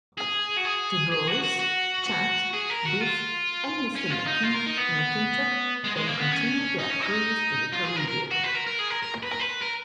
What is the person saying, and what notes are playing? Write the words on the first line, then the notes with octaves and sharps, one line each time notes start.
The boys, Chet, Biff, and Mr. McClintock then continue their cruise to the Caribbean.
G#4
F#4
G#4
G#4
F#4
F#4
F#4
F#4
G#4
A#4
F#4
F4
C#4
F4
D#4
F4
A#4
D#4
B3
G#3
G#3
A#3
B3
C#4
D#4
C#4
D#4
F4
G#4
A#4
A#4
F#4
B4
A#4
A#4
G#4
A#4
A#4
B4
A#4
B4
A#4